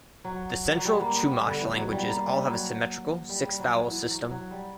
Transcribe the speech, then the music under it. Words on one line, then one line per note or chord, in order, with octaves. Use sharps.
The Central Chumash languages all have a symmetrical six-vowel system.
F#3
F#3
G3
A#3
B3
G3
D3
E3
F#3
G3
A#3
G3
F#3
G3
G3
F#3
E3
F#3
F#3
G3